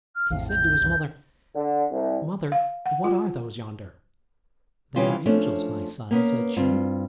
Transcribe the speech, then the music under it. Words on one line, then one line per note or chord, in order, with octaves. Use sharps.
He said to his mother, "Mother, what are those yonder?" "They are angels, my son," said she.
F6
A#1 F2 A2 F5
G6
C2 F#2 E3
D3
C2
F5
F#5
F4
C#3 E3 G3 C#4 F4
F3 A3 C#4 D4
A#3 B3 C#4
G2 C4 F4